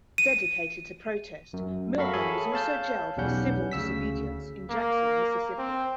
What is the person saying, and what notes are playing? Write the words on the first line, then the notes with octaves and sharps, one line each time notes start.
Dedicated to protest, Milhon was also jailed for civil disobedience in Jackson, Mississippi.
D#7
F#2
F#4 A4 A#4 E5 F5 B5
G#4 A4 C#5 G#5 B5
C#5 F5 A5 G6
B1 E2 G3 C#4 F#5 G6
D2 C#3 E6 B6
A#3
C4